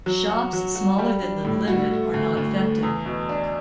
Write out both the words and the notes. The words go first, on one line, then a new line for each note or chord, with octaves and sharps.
Shops smaller than the limit are not affected.
F#3
F#4
F#3
F#4
G3
D4
A2
F#4
A3
D2
D2
A3
E2
B2
D4